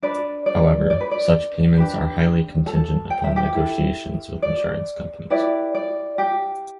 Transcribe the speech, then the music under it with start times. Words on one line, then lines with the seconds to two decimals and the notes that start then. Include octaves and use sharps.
However, such payments are highly contingent upon negotiations with insurance companies.
0.03 D4 B4 D5
0.46 D5
0.90 D5
1.01 B4
1.11 D5
1.78 D4 G4 B4
2.66 A4 A5
3.10 G5
3.24 E5
3.36 G4 G5
3.54 E4 A4
4.42 D5
5.30 E4 G4 B4 D5
5.75 D5
6.18 G4 G5